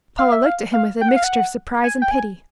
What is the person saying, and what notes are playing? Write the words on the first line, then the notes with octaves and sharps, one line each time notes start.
Paula looked at him with a mixture of surprise and pity.
F5
E5
F5
F5
G5
F#5
F5
F#5
G#5
G5
G#5